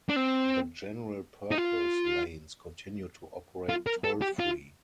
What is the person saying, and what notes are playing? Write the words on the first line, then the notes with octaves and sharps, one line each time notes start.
The general purpose lanes continue to operate toll-free.
D4
C4
D#4
F4
F4
A#4
A4
G4
F4